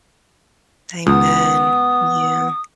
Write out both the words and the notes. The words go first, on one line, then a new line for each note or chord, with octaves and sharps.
Amen, yeah.
C#2 B3 D#6